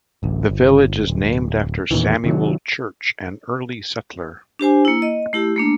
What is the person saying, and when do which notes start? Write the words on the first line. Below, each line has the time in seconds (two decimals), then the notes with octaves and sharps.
The village is named after Samuel Church, an early settler.
0.23 D1 A1
0.50 G1
1.07 D1
1.91 E2 A#2 D#3 E3
2.24 C3 D#3 F#3
4.59 D4 G4 C5 G#5
4.85 A#3 E4
5.02 D#5
5.33 A3 E4 G4
5.56 A3 A#3 D4